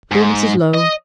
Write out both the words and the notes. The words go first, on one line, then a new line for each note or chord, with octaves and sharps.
Poor Mrs. Low!
G#2
D#5